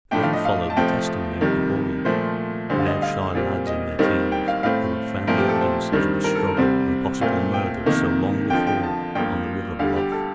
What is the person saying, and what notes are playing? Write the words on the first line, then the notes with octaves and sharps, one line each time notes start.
Then followed the testimony of the boys--now shy lads in their teens, who had found the evidences of a struggle and possible murder so long before on the river bluff.
A2 F3 A3 D4 G5
F5
D#5
F5
A5
F2 C3 F3 A3 C4 G5
F2 C3 D#3 G3
A#2 F3 A3 C5
D2 D3 G3 C5
F5
D#5
F5
A#2 G3 C4
D#5
D#2 D#3 G3 C4
G5
F5
A2 A3 C4 F5
A#2 F3 A3 C4 A#4
G4
A4
C5
G2 D#3 G3 C4
A#4
A4
A#4
C2 C3 G3 C4 C5
A#2 A3 C4 F5
G5
F2 C3 D#3 A#3
F2 D3 F3 G5
G5
A5
G2 F3 A#3 G5
D2 D3 G3 F5
G4
A4